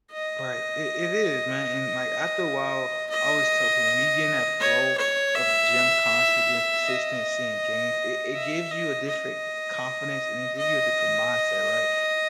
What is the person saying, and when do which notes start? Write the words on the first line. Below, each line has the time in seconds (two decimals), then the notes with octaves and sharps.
Right. It it is, man. And, like, after a while, I always tell people, when we get in that flow of the gym constantly being consistent, seeing gains, it it gives you a different confidence, and it give you a different mindset, right?
0.12 D#5
3.10 D#5
4.60 C#5
4.98 C#5
5.35 E5
6.85 D#5
8.35 E5
8.71 D#5
9.08 D#5
10.58 D#5